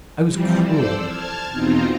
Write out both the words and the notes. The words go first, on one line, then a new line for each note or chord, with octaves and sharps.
I was cruel!
E3 F3 G3 C4
A4 C5 D5 E6
A5 F6 G#6
E2 B2 C4 D#4 F4 A#5